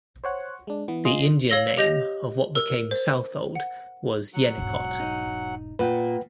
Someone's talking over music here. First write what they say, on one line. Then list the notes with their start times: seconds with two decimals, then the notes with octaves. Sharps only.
The Indian name of what became Southold was "Yenicott".
0.24 C5 C#5 F#5
0.67 G#3 D4
0.88 E3 B3
1.05 F4 G#4 D#5 C6
1.49 C#5 F5 E6 A#6 F#7 G7
1.78 G4 D#5 G6 A#6 F7
2.55 A#4 E6
2.91 C5
3.55 F#5
4.34 F#3 F#5
4.58 E1 G#2
5.00 D#4
5.79 A#2 B4 F#5 G5